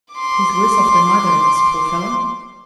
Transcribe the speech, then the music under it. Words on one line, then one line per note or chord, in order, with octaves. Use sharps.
He's worse off than either of us, poor fellow.'
C6 D6